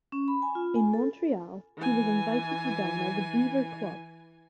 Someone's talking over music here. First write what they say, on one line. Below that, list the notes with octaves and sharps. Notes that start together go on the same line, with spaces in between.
In Montreal, he was invited to dine at the Beaver Club.
C#4
B5
G#5
F4
G#5
A4
E3 G#5